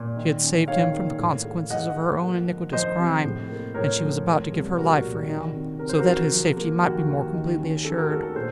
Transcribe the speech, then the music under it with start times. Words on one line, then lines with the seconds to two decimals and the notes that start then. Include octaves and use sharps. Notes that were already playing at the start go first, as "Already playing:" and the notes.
She had saved him from the consequences of her own iniquitous crime, and she was about to give her life for him, so that his safety might be more completely assured.
Already playing: A#2
0.16 D#3
0.42 C#4
0.68 D#3 C#5 F5
0.93 A#3
1.18 A2
1.45 A3
1.70 A2 D#5 F#5
1.96 A3
2.21 A#3
2.47 F3
2.72 F3 C5 D#5
2.99 C3
3.24 A2
3.49 A#3
3.74 A2 A#4 C#5
4.00 F3
4.26 A3
4.52 C2
4.78 C2 F#4 A#4
5.03 A#2
5.29 D#3
5.54 C3
5.79 C3 A#4
5.89 C5
5.99 F#4 A#4
6.06 C3
6.31 F3
6.56 A#3
6.82 D#2 F#4
7.08 D#2
7.34 D#3
7.59 C#4
7.84 C#4 A4
7.97 F#4 A#4
8.10 A3 A4
8.22 A4
8.35 A#2 A4 C5